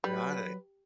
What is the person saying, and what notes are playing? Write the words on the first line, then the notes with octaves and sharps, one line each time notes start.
Got it.
F#3 G3 B4